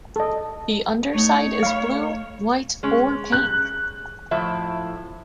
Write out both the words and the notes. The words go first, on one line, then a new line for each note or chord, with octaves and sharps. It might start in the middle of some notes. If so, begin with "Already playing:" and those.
The underside is blue, white, or pink.
A4 D#5
A3 D#4 C#5
F5 B5
G#3 C#4
F#6
A2 F3 E5